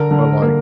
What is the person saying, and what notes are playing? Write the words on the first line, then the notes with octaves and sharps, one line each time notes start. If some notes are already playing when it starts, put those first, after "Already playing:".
but like
Already playing: D3 A#4 A#5
D3
A#3